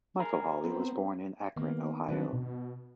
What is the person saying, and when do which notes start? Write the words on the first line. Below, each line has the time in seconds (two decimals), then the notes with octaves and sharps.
Michael Holley was born in Akron, Ohio.
0.19 G#4 A#4
0.64 B3 C4
1.56 D#3 A#3 B3
2.08 B2 D#3 F#3 C4 D4 B4
2.33 B2